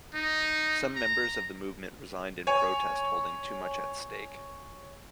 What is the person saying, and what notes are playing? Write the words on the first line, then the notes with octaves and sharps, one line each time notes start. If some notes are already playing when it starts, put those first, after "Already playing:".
Some members of the movement resigned in protest, holding too much at stake.
D#4
A#5
C#5 G#5